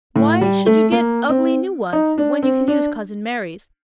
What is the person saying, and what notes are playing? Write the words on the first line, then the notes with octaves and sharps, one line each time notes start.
Why should you get ugly new ones, when you can use Cousin Mary's?
A2
G3
A3
A#3
C4
D#4
D4
C4
D4